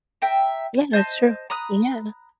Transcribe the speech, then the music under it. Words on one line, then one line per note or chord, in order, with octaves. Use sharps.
Yeah, that's true. Yeah.
E5 G5 A#5
C5 D#5 A5
A#5 B5 D#6 F#6